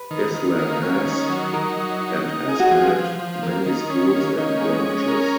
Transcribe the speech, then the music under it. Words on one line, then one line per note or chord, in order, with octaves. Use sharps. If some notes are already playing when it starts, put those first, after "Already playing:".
Islam has, and has had, many schools and branches.
Already playing: B4
D#3
D#3
A#3
C#4
D#3
F#3
D#4 A#4
F#3
D#4
D#4
G#4
F#4
F3
F3
F3
A#3
D#3
C#4
A#3
C#4 D#4
G#3
C#4
A#4